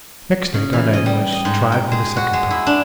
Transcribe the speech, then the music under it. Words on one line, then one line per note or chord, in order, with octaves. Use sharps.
Next day Darnay was tried for the second time.
C#3
E3
D#5
G3
D#5
G#2
G5
G#3
F#4
G#3
E4
D4